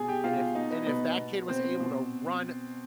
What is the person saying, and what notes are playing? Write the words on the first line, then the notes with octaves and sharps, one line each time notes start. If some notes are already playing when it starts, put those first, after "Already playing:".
and if And if that kid was able to run
Already playing: B2 G#4 G#5
G4 G5
B2 F4 F5
B2 D#4 D#5
B4
B2 B4
B2
B2 C4 C5
B2